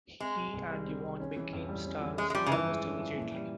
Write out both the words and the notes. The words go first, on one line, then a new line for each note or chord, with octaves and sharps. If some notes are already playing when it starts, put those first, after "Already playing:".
He and Yvonne become stars almost immediately.
G#3 C4
C3
C2
G3
C4
C3
C#4
E3
F2
G3
C#4
E3
G#3 C#4
G#3
F3 G3
C#3
G2 E3
G#3
C#4
F3
A#2
G3